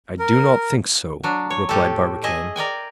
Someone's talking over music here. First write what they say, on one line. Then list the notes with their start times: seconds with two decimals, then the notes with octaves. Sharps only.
"I do not think so," replied Barbicane.
0.19 A#4
1.23 F#3 D4
1.50 C#5
1.69 A2 G4 A4
2.24 G#4 D#5 E5
2.56 A#4 D5 G5 G#5